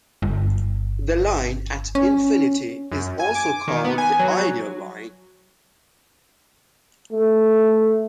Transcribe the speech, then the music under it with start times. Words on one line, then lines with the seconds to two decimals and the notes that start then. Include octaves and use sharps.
The line at infinity is also called the ideal line.
0.22 G1
1.95 C#4
2.91 F#2
3.20 G#5
3.35 D6
3.68 D#3
3.84 B3
3.98 G#5
4.19 F#3
7.12 A3